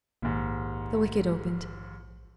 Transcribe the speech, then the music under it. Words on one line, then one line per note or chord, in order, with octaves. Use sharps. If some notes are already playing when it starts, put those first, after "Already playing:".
The wicket opened.
A#1 D#2 G#2